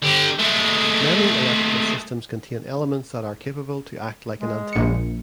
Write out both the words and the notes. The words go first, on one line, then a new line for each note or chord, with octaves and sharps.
Many electrical systems contain elements that are capable to act like an antenna.
D3 G4
G#3 A3
G#3
A#1 C#7